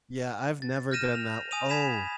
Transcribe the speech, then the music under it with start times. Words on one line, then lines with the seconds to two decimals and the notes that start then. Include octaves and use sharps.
Yeah, I've never done that o Oh,
0.62 A6
0.92 F6 G6 A#6 D#7 E7
1.15 F7
1.51 G#5 D#6 D#7 F7
1.69 G#5 B5 G#6 B6 E7 F7